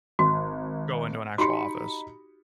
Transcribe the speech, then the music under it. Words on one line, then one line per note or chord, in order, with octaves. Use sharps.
go into an actual office?
G#1 F#4
D#4 F#4 G4 B5 C#7